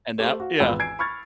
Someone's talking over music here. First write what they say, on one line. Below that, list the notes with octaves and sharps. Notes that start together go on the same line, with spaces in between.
and that yeah.
A3 G4 C5
F#4 F5
G#1 E2 F4 B4 G5 E6
G#5 G#6 C7 D7
B5 C#6 F6 G#6 A6